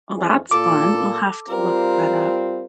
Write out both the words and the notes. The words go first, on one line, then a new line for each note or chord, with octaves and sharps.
Oh, that's fun, I'll have to look that up.
F2 E3 G#4
A#2 F4 A4 D6
G3 C4 F4 A#4